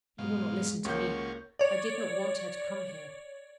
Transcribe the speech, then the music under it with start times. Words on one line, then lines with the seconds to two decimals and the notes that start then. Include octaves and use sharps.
She will not listen to me: I did not want her to come here.
0.19 G#2 B2 G#3 F5
0.85 C#2 A#3 C#4 F4 F#4 C#5 G6
1.59 C#5 D5